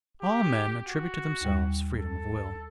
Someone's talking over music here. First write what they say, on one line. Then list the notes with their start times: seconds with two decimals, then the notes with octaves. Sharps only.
All men attribute to themselves freedom of will.
0.22 G4
0.88 F#4
1.41 D#2 G3
1.98 A4